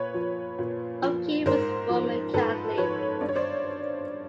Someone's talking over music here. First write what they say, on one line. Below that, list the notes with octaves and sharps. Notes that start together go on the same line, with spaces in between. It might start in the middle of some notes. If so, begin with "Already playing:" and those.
O'Keefe was Roman Catholic.
Already playing: A#2 B4 C#5
F3
A#2
F3
G#2 A#4 C5
F3
G#2 A4 B4
F3 B4 C#5
G2 D5
C#5
C5 D5